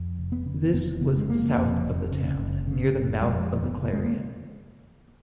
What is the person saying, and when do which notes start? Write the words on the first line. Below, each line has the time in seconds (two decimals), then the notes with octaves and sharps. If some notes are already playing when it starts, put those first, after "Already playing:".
This was south of the town near the mouth of the Clarion.
Already playing: F2
0.19 F1
0.32 B3
0.46 C#3
0.74 F1 B3
1.01 C#3 B3
1.17 G#3
1.28 F1 A#3
1.57 F2
1.85 F1
2.12 C#3
2.39 F#1
2.67 C#3
2.94 F#1
3.22 F2 G#3
3.49 F#1
3.63 B3
3.77 C#3
3.93 G#3
4.05 A#3